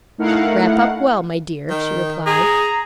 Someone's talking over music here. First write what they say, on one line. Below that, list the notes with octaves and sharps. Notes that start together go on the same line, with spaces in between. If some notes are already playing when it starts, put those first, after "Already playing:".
"Wrap up well, my dear," she replied.
A3 D#4 E4 A#4 F5 F#5
D#3
G#4 A#5